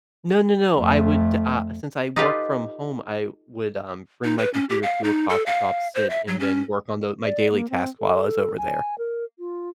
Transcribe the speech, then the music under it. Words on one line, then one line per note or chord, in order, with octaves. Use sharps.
No, no, no. I would a since I work from home, I would, um, bring my computer to a coffee shop, sit, and then work on the my daily tasks while I was over there.
F2 A3
D#4 F4 G4 A4 B4 F5
D#4
B4
C#4
G4
F5
D#4
A4
F5
C5
E5
F#3
C#4
D5
A#3
C4
A4
G#5
A#4
F4